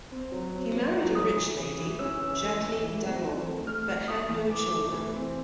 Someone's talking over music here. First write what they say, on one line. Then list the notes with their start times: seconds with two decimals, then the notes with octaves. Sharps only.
He married a rich lady, Jacqueline Damant, but had no children.
0.11 C4
0.32 F#3
0.52 C4
0.74 F#3
0.94 F#3
1.15 E3 D#6
1.36 E3
1.57 E3
1.79 E3
1.99 C#4 E6
2.20 E3
2.41 A3
2.61 E3
2.83 E3
3.04 C4
3.25 C4
3.46 A3
3.67 A3 F6
3.87 E3
4.08 A3 D#6
4.29 E3
4.50 E3 D6
4.71 A3
4.92 E3
5.13 C4